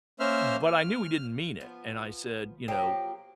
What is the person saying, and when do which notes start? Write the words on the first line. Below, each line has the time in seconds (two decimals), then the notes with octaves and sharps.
but I knew he didn't mean it, and I said, you know,
0.20 A#3 C#4 A#4 C5 E5 F6
0.67 F6
1.60 F3 B3
2.68 F3 F#3 A#3 G4